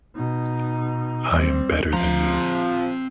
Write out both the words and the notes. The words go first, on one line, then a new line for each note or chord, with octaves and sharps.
I am better than you.
B2 D#4
G3 C4
F3 C4 A#5